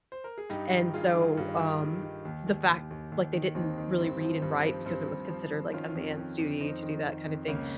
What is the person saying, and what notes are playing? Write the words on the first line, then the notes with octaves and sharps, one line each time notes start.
And so, um, the fact like, they didn't really read and write because it was considered, like, a man's duty to do that kind of thing,
C5
A#4
G#4
G2 D#4 G4
D#3
G2 F4 G#4
D#3
G2
D#3
G2
D#3
D#2
D#2
D#2
D#2
D#2
D#3
D#2 C4 D#4
D#3
G2 C4
F3
G2
F3
G2 C4
G2
F3
F3
D#3 C#4 F4
F2
F2
F2
F2 C4 D#4
D#3
F2
F2
C#2 A#3 C#4